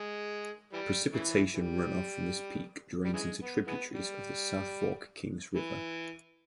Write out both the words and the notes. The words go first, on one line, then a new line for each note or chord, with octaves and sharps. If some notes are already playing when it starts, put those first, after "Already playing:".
Precipitation runoff from this peak drains into tributaries of the South Fork Kings River.
Already playing: G#3
E3 G3
C#3 E3
E3 G3
G3
C#3 E3 G#3
B3
E3 G#3 B3
G3
E3